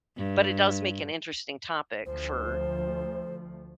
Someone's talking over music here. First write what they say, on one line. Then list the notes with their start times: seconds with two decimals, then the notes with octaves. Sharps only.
but it does make an interesting topic for
0.18 G2
2.06 D2 F3 A3 C5